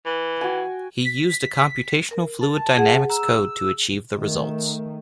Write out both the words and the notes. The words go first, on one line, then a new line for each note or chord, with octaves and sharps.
He used a computational fluid dynamics code to achieve the results.
E3
F#4 G5 G#5
B6
A#4
A5
G#4 F#5
A#5 E6
D#3 A3